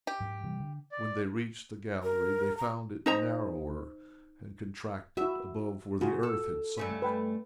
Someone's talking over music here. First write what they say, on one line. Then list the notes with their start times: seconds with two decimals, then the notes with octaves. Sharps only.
When they reached the gallery they found it narrower and contracted above where the earth had sunk.
0.07 G4
0.20 G#2 F#3
0.44 C3 E3 G3
0.60 D3
0.92 D5
2.03 A#4
2.58 A#5
3.06 D#4 C5 A#5
5.17 E4 F#4 E5
6.01 C#3 F4 F#4
6.23 A4
6.77 G2 A3 C#4
7.02 B4 G5 G#5